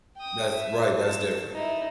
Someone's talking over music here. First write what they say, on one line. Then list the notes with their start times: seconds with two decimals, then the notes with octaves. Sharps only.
That's right, that's different.
0.17 G5 D#6
0.54 E5
1.00 A5
1.54 D#4 E4